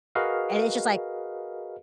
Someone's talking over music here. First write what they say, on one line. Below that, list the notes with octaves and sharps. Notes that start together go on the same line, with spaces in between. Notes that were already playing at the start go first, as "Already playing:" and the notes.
And it's just, like,
F#4 G#4 A#4 B4 D#5 F5